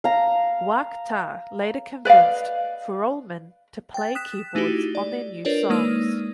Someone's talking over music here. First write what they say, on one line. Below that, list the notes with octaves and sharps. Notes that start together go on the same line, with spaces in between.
Waaktaar later convinced Furuholmen to play keyboards on their new songs.
F5 A#5
B4 D5 D#5 F5
G5 A6
D#6 F#6 B6 E7
A3 D#4 E4 F#4 G4
D5
D4 F4 A#4 B4 C#5 D5
G#3 A#3 D#4 E6